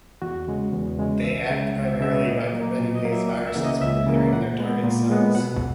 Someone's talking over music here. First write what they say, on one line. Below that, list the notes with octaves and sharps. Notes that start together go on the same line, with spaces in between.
They act primarily by preventing these viruses from entering their target cells.
E2 F#4
C#3 G#3
E2
C#3 G#3
C#2 E5
C#3 G#3
C#2 F#5
E5
C#3 G#3 E5
C#5
A#2 D#5
F#3 A#3
A#2
D#5
F#3 A#3
E5
C#2 F#5
E5
C#3 E3 A#3
D#5
C#2 E5
C#3 E3 A#3
A#2 F#5
G#3 B3
A#2
G#3 B3
B2 F#5